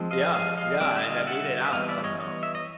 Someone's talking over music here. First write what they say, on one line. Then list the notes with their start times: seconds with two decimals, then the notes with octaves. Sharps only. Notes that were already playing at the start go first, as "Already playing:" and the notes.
Yeah. Yeah, and I made it out, somehow.
Already playing: F3 G#3 C4
0.11 D#5 F5
0.34 D#5 F5
0.57 D#5 F5
0.80 D3 G3 C4 D5 E5
0.96 E5
1.04 D#5 F5
1.27 E5 F#5
1.65 E5
1.73 E3 G3 B3 D#5 F5
1.89 D5 E5
2.04 C#5 D#5
2.20 C#5 D#5
2.43 E5
2.55 D#5